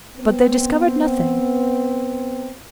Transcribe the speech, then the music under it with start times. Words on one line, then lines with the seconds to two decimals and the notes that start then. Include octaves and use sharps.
But they discovered nothing.
0.18 B3 C4